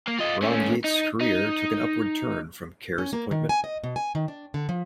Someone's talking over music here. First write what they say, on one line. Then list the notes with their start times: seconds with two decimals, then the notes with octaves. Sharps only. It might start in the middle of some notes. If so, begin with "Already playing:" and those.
Ron Yeats' career took an upward turn from Kerr's appointment.
0.08 A#3
0.19 F4 D#5
0.43 A3 C#4
0.84 D#4
1.21 D#4
2.98 C#4
3.13 A#3
3.31 D#3
3.49 G#5
3.64 D#5
3.84 B2
3.96 G#5
4.15 D#3
4.28 D4
4.54 D3
4.69 F3